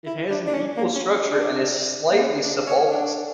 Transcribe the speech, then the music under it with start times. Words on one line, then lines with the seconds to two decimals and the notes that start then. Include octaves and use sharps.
It has an equal structure, and is slightly subulbous.
0.07 E4
0.30 D4
0.47 D4
0.54 C#4
0.77 A#3
0.95 C#4
1.13 C#4
1.31 D4
2.12 A#3
2.20 C#4
2.44 D4
2.67 C#5
2.91 D4